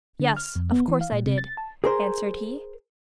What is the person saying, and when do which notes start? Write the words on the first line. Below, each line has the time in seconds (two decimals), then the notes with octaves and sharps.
'Yes, of course I did,' answered he.
0.20 D3
0.37 F6
0.55 F2
0.72 B3
0.88 E3
1.01 F5
1.12 A#2
1.26 C3
1.38 A6
1.57 A5
1.84 G#4 A#4 C5